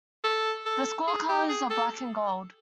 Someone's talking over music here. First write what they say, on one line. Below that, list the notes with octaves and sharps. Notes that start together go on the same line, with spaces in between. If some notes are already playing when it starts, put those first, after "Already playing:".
The school colors are black and gold.
A4
A4
G#4
G4
G#4
A4